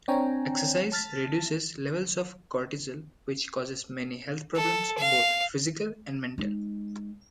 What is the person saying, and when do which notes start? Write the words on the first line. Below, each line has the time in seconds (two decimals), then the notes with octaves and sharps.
Exercise reduces levels of cortisol, which causes many health problems, both physical and mental.
0.08 C4 D4 C#5 G5 G#5 A#5
0.92 A5 F6 A6 B6
4.56 A4
4.98 F5
6.38 G#3 D#4